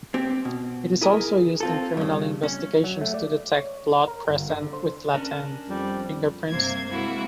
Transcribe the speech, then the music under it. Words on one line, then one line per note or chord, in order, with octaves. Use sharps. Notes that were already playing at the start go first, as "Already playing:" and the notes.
It is also used in criminal investigations to detect blood present with latent fingerprints.
C4 G4
B2
E4 G#4 A#4
C4 F4 A4
G2 C#3
C#4
F#3
A3
D5
C#5
A#4
G1
D3
C5
C#4 D4 A#4
F2 G3
G2 C3 A#3 C5 G#6
G#3 A#3 C4 E4 F#4